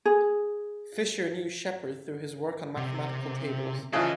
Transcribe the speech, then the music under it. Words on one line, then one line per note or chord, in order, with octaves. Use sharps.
Fisher knew Sheppard through his work on mathematical tables.
G#4
C3
C#3 E3 F3 D#5 A5